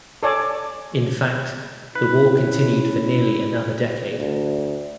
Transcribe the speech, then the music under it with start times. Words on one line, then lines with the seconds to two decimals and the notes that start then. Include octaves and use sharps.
In fact, the war continued for nearly another decade.
0.23 A4 C#5 D5 G#5
1.95 C#4 E4 B4
4.18 D2